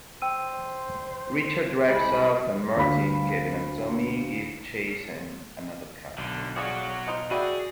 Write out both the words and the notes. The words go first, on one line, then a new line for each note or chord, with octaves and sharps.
Richard drives off and Martin, Kevin and Tommy give chase in another car.
C5 G5 E6 D#7
C2 G#3 B5
D2 F5 B5 B6
B1 D3
F#4 G#4 C#5 D5 F5
D#4 A#4 C5
F#4 G#4 B4 D5 E5 G5